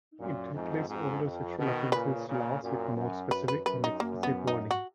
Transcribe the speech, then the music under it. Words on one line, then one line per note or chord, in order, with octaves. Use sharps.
It replaced older sexual offences laws with more specific and explicit wording.
F#2 A#2
F2 G#2
F2 G#2
F2
B2 D#3
A#2 C#3 B4
A#2 C#3
F#2 A#2
F#2
F#2 B4
B4
F#2 B4
D#4
F#2 A#3
B3
D#4
F#4